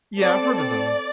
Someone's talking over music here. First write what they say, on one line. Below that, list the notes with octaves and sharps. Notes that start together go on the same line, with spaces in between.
Yeah, I've heard of them.
C4 A4 D5
D5